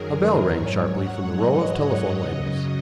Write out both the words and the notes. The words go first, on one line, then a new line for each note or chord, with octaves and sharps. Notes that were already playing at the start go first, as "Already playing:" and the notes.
A bell rang sharply from the row of telephone labels.
Already playing: F#2 D#3 F#3 G#4 A#4
A#4
G#2 F#3 C#5
F#5
D#5
C#5
F#2 C#3 F#3 D#5